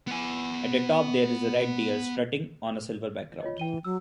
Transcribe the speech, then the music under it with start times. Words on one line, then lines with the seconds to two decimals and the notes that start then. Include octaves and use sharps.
At the top there is a red deer strutting on a silver background.
0.07 B3 G#5
3.41 F4 C#5 D#5
3.58 E3 G5 D#7 G7
3.84 F#3 E6